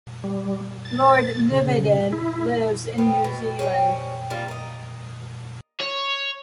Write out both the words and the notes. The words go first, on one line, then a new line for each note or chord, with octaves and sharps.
Lord Lyveden lives in New Zealand.
G3
A6
C#3
E4
B3 C4 F4
B2
G3 A#3 C4 C#4
C3 G3 A#3 F4
A#4 D#5
C#5